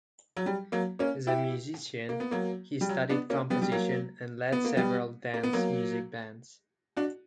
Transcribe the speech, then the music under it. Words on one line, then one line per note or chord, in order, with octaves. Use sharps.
As a musician, he studied composition and led several dance music bands.
F#3
G3
F#3 A#3
A#3 C#4
E4 G4
A#3
B3
F#3 A#3
G3
F#3
B3 D4
A#3 C#4
G3 B3
G3
F#3 A#3
B3
A#3
G3 B3
A#3
B3
F#3 A#3
D4 F#4